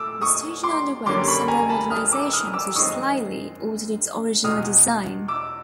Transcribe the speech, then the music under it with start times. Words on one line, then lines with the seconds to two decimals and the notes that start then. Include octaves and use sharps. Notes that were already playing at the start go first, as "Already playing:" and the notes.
The station underwent several modernisations which slightly altered its original design.
Already playing: A#2 A3 D6 E6
0.22 C#6 D#6
0.64 C6 D6
1.06 F#2 D3 G3 A#3 C#4 C6 D6
1.27 B5 C#6
1.48 G#5 A#5
1.69 A5 B5
1.90 D#6 F6
2.12 D6 E6
2.33 D#6 F6
2.54 D6 E6
2.76 F#2 D#3 G#3 C4 C#6 D#6
4.44 E2 B2 G#3 D#6 F6
5.28 D6 E6